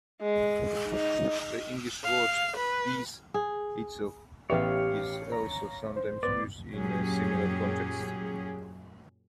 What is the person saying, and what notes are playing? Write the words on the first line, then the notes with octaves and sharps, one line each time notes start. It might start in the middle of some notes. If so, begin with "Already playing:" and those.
The English word "piece" itself is also sometimes used in a similar context.
G#3
D#4
F5
B4
G#4
A1 B3 G4 C#5 E5 F5
A#5
C5
B3 D5
F#2 A#2 F#3 C#4 G4 G#4